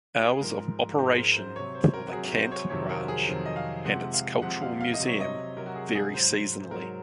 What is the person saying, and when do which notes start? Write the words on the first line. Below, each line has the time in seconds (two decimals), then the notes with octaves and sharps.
Hours of operation for the Cant Ranch and its cultural museum vary seasonally.
0.19 F#4
0.30 G#4
0.41 G#2 F3 G#3 A#4
0.98 G#2 F3 G#3 C5
1.18 A#4
1.36 C5
1.55 C3 F#3 C#5
1.75 C5
1.94 A#4
2.07 F#4
2.12 C3 F#3 G#4
2.32 C5
2.52 C#5
2.70 F2 C3 D#3 F#3 C#5
2.89 A#4
3.00 F#4
3.08 G#4
3.27 F2 C3 D#3 F#3
3.46 D#5
3.56 F5
3.85 C3 F3 G#3 F#5
4.13 F5
4.42 C3 F3 G#3 F#5
4.62 F5
4.81 F5
4.94 D#5
5.00 C3 F#3
5.07 C#5
5.21 D#5
5.57 C3 F#3 A#4
5.66 F#4
5.76 G#4
5.95 G#4
6.14 G#2 F#3 C5
6.71 G#2 F#3 A#4